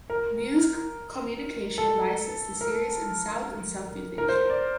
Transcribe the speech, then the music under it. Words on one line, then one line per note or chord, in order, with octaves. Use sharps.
Muse Communication licensed the series in South and Southeast Asia.
A#4
A4
A#4
A#4
C5
D5